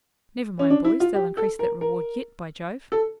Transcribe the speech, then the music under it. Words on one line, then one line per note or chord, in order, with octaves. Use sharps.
'Never mind, boys, they'll increase that reward yet, by Jove!
C#4
D4
E4
F4
G4
A4
A#4
A#4
A4